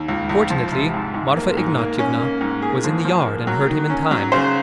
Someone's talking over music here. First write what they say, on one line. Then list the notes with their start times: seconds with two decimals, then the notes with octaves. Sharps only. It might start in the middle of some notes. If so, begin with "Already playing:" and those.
Fortunately, Marfa Ignatyevna was in the yard and heard him in time.
Already playing: D#2
0.08 C#2
0.29 C#2
0.50 F3
0.72 C3
0.94 G#2
1.14 G#2
1.36 A#3
1.57 G#2
1.78 A#3
1.99 C#4
2.20 A#3
2.41 G#2
2.62 A#3 G#4
2.84 F3
3.05 F3
3.26 A#3
3.47 F#3
3.68 D#3
3.90 C#4
4.11 F#3
4.32 C#3 C5